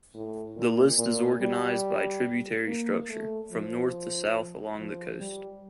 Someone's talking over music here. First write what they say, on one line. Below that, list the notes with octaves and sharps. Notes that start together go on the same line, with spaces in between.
The list is organized by tributary structure, from north to south along the coast.
A2
A#2
A#2
G3
A#3
A3
F3
F3
G3